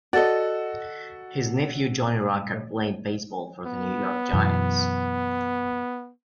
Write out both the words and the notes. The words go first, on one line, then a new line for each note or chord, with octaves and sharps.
His nephew Johnny Rucker played baseball for the New York Giants.
F#4 A4 D5 D#5
B3
F#2 B2 E3